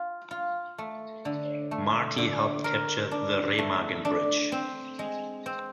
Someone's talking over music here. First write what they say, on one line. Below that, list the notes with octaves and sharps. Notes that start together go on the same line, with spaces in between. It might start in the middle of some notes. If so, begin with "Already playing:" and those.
Marty helped capture the Remagen Bridge.
Already playing: F4
F4
A3
D3
A3
D3
A#4
D4
A3
D4
C4
G#3
C4